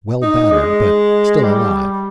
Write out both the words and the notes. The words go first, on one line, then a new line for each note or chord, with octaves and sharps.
Well battered, but still alive.
D#4
G#3
G3